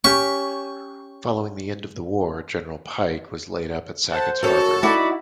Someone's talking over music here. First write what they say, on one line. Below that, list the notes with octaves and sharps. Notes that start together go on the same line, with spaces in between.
Following the end of the war, "General Pike" was laid up at Sackett's Harbor.
C#4 G4 C#6
A4 C5 F#5 A5
F#2 F#4 A4 C#5
D#4 E4 F#4 D5 B5